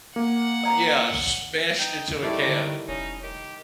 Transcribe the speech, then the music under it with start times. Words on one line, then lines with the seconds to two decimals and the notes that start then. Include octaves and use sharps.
yeah, smashed into a can.
0.16 A#3 F#5
0.65 C#5 A#5 D#6
1.79 D#4 G5
2.23 D#3 G3 A3 E4 D5
2.48 D3
2.88 F1 C#4 D#4
3.23 D#3 G4